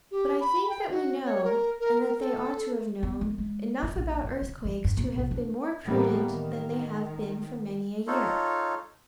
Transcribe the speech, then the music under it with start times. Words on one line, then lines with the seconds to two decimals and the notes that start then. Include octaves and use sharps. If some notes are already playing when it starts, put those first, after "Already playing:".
But I think that we know, and that they ought to have known, enough about earthquakes to have been more prudent than they have been for many a year.
0.11 G4
0.40 B5
0.69 G5
0.90 F#4
1.25 C#5
1.44 A#4
1.80 A#4
2.01 A#4
2.19 A4
3.03 B3
3.21 G#3
3.38 G#3
3.83 A#3
3.96 A#1
4.24 G2
4.42 C#3
4.65 E3
4.85 G2
4.97 A#1
5.17 B1
5.31 D4
5.85 A2 E3 G3 A#3 B3
6.28 D#3
8.07 D#4 F4 A4 C#5